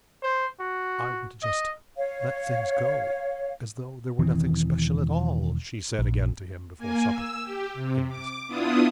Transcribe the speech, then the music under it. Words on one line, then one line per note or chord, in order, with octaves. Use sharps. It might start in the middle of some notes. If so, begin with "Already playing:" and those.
'I would just let things go, as though there were nothing special at all,' she said again to him, before supper, in a whisper.
C5
F#4
D#5
C#5 F5
E1 D#3 E3 C4
A#1
A#3 G#5
E6
G4
C3
D6
B3 D4 E4 F4 D#6